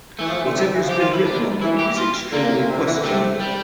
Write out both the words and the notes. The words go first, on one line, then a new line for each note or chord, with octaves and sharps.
Whatever has been written on them is extremely questionable.
E3 A3
F3
E3
D3
C3
E3
F3
G4
F4
E4
D4
E3 E4
G4
F4
D3 A#3
A#2
A2
A#2
C3
D3
E3
D3
C3 A3
G3